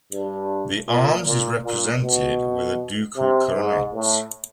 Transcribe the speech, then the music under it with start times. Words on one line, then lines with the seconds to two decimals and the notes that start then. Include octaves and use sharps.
The arms is represented with a dukal coronet.
0.12 G2
0.87 A#2
1.26 A#2
1.63 A#2
2.02 B2
3.16 C3
3.54 G#2
3.93 A2